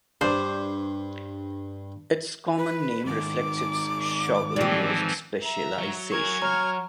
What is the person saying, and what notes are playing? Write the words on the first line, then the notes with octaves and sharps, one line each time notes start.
Its common name reflects its shovel nose specialisation.
G2 D4 C5
B4
G#2 D#3 D6
E3 F3 G3 C4 G4
E5 A#5
F#3
A#4 G#5 C#6 G#6
C#5 A#5 C#6 F6